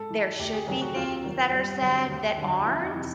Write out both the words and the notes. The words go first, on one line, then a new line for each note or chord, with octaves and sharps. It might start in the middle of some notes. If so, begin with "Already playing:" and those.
there should be things that are said that aren't?
Already playing: G#2 A4
E3
D2 G4
G#4
C3 D#3 F#3 G#4
F#4
D#2 F4
D#3 F#3
G2
D3 F#3
D#2
D3 F#3
F2 E4
D#4
C3 E3